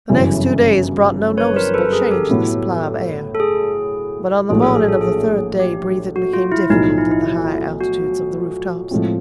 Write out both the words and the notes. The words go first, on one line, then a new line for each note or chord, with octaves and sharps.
The next two days brought no noticeable change in the supply of air, but on the morning of the third day breathing became difficult at the higher altitudes of the rooftops.
G1 F#2 C#3 E3
B4 C#5
A#4 C5
A4 B4
G#4 A#4
G4 A4
A2 F#3 B3 E4
A4
G#4
A#1 A2 F#3 G#4
A4
G#4
A4
G#4
G4
F#4
F4
E4
B1 A2 F3 D#4
D#4
E4
E4
F#4
A2 F3 G#3 C4 F4